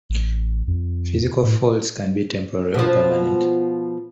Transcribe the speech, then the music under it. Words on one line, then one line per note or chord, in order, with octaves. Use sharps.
Physical faults can be temporary or permanent.
A1
F2
A2
B2 F3